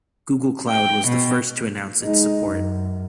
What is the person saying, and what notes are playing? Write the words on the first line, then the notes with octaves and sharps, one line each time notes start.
Google Cloud was the first to announce its support.
G5
B2
G#3 D#4
F#2